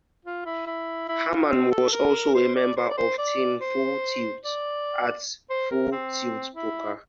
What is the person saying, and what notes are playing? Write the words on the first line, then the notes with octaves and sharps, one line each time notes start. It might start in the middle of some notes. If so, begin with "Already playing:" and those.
Harman was also a member of "Team Full Tilt" at Full Tilt Poker.
F4
E4
E4
E4
F4
C4
A4
A#4
C5
D5
C5
D5
C5
D5
C5
D5
C5
A#4
C4
E4